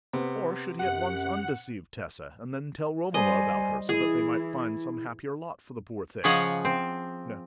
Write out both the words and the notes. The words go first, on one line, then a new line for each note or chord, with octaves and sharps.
Or, should he at once undeceive Tessa, and then tell Romola about her, so that they might find some happier lot for the poor thing?
C3 B3
F#2 G4 F#5
G3 C5 D#5 G#5
E3 E4 G#4
C#3 F3 G#4 C#5 D#5 F#5
C4